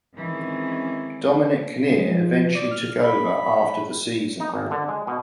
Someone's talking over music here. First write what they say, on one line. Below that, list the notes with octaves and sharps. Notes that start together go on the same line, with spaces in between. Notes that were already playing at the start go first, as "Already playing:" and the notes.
Dominic Kinnear eventually took over after the season.
D#3 E3 G#3 C4 C#4
G#3
F3
D5
F6
B5
D#4
G#1
D3
G#3
B2